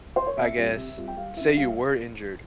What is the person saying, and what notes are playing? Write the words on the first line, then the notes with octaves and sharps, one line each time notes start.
I guess say you were injured,
C5
C#5
C3 E5
G3 C4 F4
C3
G3 C4 F4
G5
G3 F5
C#4 E4 E5
G3 F5
E5